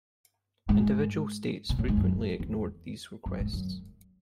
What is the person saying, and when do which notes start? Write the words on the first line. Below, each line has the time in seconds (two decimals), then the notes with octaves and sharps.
Individual states frequently ignored these requests.
0.69 G#2
1.69 B2
1.79 A2
1.88 G#2
1.97 F#2
2.40 E2
3.26 F#2
3.40 G#2
3.53 F#2